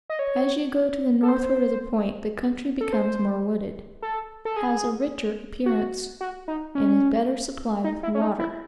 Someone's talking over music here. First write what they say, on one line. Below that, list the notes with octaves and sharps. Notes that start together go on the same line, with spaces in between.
As you go to the northward of the point, the country becomes more wooded, has a richer appearance, and is better supplied with water.
D#5
C#5
A4
C5
A4
C5
A4
A4
G#4
F#4
F#4
D#4
C#4
D#4
E4
C#4
D#4
E4